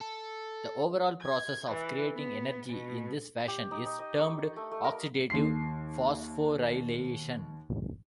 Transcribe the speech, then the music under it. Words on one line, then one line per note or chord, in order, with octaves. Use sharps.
The overall process of creating energy in this fashion is termed oxidative phosphorylation.
A4
G#6
E3
B3
B2
G4
D#4
D#4
D#5
C#6
A3
A3
A#4
D#2 C6 C7